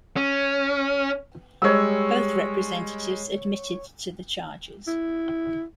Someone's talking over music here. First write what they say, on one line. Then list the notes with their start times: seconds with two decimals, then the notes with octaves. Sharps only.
Both representatives admitted to the charges.
0.17 C#4
1.62 G3 G#3 C#5 E6
4.87 E4